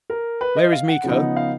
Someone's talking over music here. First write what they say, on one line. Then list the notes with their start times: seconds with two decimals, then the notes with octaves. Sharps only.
"Where is Miko?"
0.10 A#4
0.41 B4
0.56 D#5
0.72 F5
0.88 F#5
1.04 C#3 F3 B3 D#4
1.36 F5